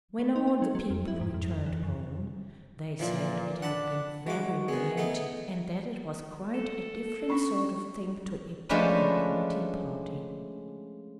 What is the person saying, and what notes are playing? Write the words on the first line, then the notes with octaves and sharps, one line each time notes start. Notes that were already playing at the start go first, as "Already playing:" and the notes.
When all the people returned home, they said it had been very romantic, and that it was quite a different sort of thing to a pic-nic or tea-party.
A3
D#4
D#4
F#3
F#3
F2
E4
G#2
F2
F2
E3
F#2
A#2 E3 F3 D4
D4 F#5 A5 B5
G#3 F#4 D6
D#3 B3 G#4
A3 B3 D#4
A4
C#4 D4 C#6
F3 G#3 A3 C#4 D4 B4